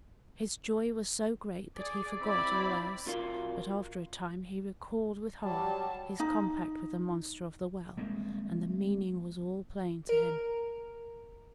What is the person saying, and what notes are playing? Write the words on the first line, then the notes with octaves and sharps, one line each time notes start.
His joy was so great that he forgot all else; but after a time he recalled with horror his compact with the monster of the well, and the meaning was all plain to him.
G#4 D5
C4 E4 D5 B5
C2 F4 F#4 A#4 F5 C6
F#3 G3 A5
D#4
G3 G#3 A#3 C4
A#4